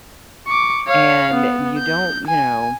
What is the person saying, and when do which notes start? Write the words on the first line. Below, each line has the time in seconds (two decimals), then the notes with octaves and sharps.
and you don't, you know
0.47 C#6 D6
0.87 C#5 F5
1.34 B3
1.78 G6
2.27 G#5